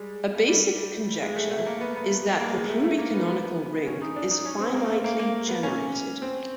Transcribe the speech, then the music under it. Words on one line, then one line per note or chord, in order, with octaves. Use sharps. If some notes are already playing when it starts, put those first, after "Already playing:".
A basic conjecture is that the pluricanonical ring is finitely generated.
Already playing: G3 G#3
A3
G3
G#3
A3
A3
A#3
B3
B3
A#3
G#3
A3
A3
A#3
B3
B3
C#4
D#4
D4
D#4
C#4
C4
A#3
A#3
A#3
A#3
B3
C#4
C4